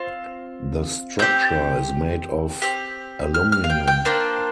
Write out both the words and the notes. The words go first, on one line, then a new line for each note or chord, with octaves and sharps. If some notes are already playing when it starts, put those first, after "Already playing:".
The structure is made of aluminum.
Already playing: C4 F4
C4 G4 G6
C4 G4
F6
F6
F5
G5
G5
A#3 D4 F4 C5